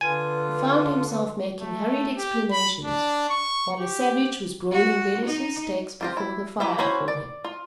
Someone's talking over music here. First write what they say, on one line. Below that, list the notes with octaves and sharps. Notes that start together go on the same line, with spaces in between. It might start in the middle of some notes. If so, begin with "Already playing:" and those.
He found himself making hurried explanations, while a savage was broiling venison steaks before the fire for him.
D3 F4 B4 G#5
A3
G4
B5
D4
C#6
G4
F#4
D#4
C4 F4 G4
E4
E3 G4 E5
C#4 E4 F#4 C5 B5
D5
F4